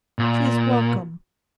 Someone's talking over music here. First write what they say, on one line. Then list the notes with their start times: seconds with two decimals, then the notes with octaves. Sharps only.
"She is welcome."
0.19 A#2